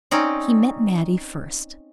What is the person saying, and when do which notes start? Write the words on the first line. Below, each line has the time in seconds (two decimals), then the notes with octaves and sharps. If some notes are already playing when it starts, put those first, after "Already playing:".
He met Mattie first.
0.11 C4 C#4 D#4 D5